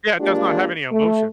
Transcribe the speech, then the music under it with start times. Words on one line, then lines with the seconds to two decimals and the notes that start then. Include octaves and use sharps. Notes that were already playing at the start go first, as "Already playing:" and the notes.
Yeah, it does not have any emotion.
0.20 G#3 A#3 D4 F4 G4
0.92 A3